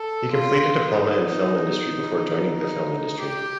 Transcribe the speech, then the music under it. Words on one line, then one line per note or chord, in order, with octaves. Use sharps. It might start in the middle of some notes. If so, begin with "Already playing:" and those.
He completed diploma in film industry before joining the film industry.
Already playing: A4
F4
D#4
D#4
G4